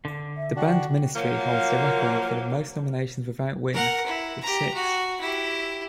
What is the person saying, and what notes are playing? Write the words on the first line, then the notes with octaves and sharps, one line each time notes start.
The band Ministry holds the record for the most nominations without win, with six.
D3
E5
D4 F#4 G5
F3 F#3 A#3
A#4 F#5
E4
G4 A#5
F#4
E4 G4